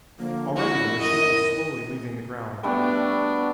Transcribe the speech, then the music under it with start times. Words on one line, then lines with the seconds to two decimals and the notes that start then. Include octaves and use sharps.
Already the machine was slowly leaving the ground.
0.19 D3 F3 A#3
0.56 E4 F#4
1.00 F#2 A#4 D#5
2.63 G3 A3 B3 D4 F#4